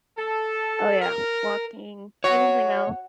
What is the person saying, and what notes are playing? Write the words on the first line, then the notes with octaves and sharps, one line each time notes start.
Oh, yeah walking. Anything else?
A4
A#4
F#4 C#5